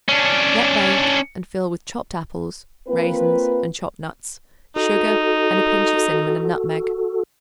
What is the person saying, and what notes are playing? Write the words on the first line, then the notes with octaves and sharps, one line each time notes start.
Let bake and fill with chopped apples, raisins and chopped nuts, sugar and a pinch of cinnamon and nutmeg.
C#4 D4
A#3 C4 F4 B4
D#4 F#4 A4